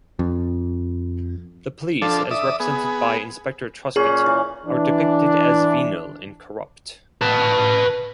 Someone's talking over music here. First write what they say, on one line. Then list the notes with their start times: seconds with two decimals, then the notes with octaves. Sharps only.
The police, as represented by Inspector Truscott, are depicted as venal and corrupt.
0.19 F2
2.02 F3 D4 A4
2.31 D5 E5 D#6
2.60 B3 G#4
3.96 A#2 C#4 G#4 C6
4.26 E3
4.66 E3 D4
7.21 B4 A5